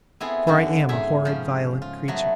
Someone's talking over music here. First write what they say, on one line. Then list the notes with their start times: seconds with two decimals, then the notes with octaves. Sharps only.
For I am a horrid, violent creature.
0.20 B3 C4 E4 G#4 A4
0.47 F#2 D3 F#3
0.89 G#2 G#4 E5
1.25 C#3 F3
1.82 F4
2.08 F#3 A3 B3